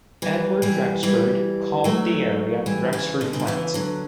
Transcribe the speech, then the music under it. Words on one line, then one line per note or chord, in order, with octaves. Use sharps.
Edward Rexford called the area Rexford Flats.
E3 G3
E3 G3
E3 G3
F#3 A3
E3 G3
C#3 E3
B2 D3
C#3
D3
C#3 E3
D3 F#3